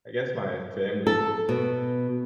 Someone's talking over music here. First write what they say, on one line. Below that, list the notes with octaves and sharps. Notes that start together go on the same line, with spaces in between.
a I guess my family
A4
B2